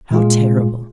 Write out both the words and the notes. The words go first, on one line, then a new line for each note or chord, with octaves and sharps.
How terrible!
A#2 G#3 F4 G#4